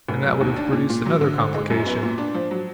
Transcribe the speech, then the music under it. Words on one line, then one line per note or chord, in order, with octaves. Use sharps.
And that would have produced another complication.
F1
F#3
D#2
D4
A#2
A#2
F#3
D3
G#1
G#3
F#2
B3
A#2
D4
F3
F#3